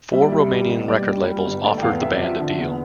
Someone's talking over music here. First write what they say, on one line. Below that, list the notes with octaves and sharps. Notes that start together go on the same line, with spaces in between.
Four Romanian record labels offered the band a deal.
G3 E5
D5
G3 E5
C2
B2
G3 D5
G3
G3
G1
A3 D5
G5
E2 F5
C3 E5
D5
F3 E5
D3
E2